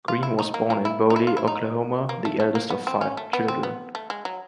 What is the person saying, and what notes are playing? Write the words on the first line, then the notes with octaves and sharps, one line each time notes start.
Green was born in Boley, Oklahoma, the eldest of five children.
F4
E4
D#4
A#3
A#3
E4
D#4
E4
F4
E4
D#4
A#3
A3
A3
A#3
B3
C4
C#4
A3
B3
C4
B3
A3
G#3
F#3